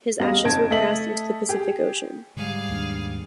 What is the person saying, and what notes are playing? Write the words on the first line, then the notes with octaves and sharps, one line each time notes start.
His ashes were cast into the Pacific Ocean.
E2 G3 D#5 F5 A#6
F#1 F2 D#4 A5 G#6 D7
A3 A4 D#5 E5 B6 F#7
G4 G#4
G#2 D3 G3 G#4 F5
D#2 A#3 D4